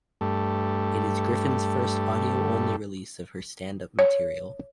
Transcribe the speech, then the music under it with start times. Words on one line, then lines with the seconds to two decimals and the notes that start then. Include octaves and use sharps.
It is Griffin's first audio-only release of her stand-up material.
0.21 G2 A3
3.99 C#5